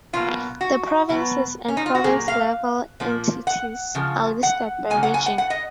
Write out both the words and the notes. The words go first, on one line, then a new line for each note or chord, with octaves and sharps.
The provinces and province-level entities are listed by region.
B2 F#3 A#3 F4
F#4
B2 F#3 B3
C#4
D#4
F4
F#4
A#2 F#3 A#3 G#4
F5
A#2 F3 A#3
F#5
C#3 F3
F#5
C#3 F#3 A#3 G#5
F#5
G#5
F#5
F#5
D#5